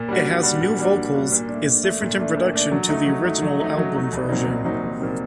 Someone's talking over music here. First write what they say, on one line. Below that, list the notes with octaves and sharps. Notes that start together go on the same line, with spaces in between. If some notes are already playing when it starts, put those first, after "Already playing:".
It has new vocals is different in production to the original album version.
Already playing: A#2
G3 D4 F#4
A#2
G3 D4 F#4
A#2
G3 D4 F#4
A#2
G3 D4 F#4
A#2
A3 D4
A#2
A3 D4
A#2
A3 D4
A#2
A3 D4
F#3
A3 D#4
F#3
A3 D#4
F#3
A3 D#4
F#3
A3 D#4
C2
A#2 F#3 C4 D#4
C2
A#2 F#3 C4 D#4
C2
A#2 F#3 C4 D#4